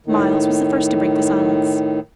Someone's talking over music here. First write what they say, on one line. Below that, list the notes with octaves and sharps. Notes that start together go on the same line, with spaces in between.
Myles was the first to break the silence.
A2 D#3